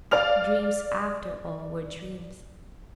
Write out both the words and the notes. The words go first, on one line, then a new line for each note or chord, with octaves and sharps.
Dreams, after all, were dreams....
D5 F5 F6 F7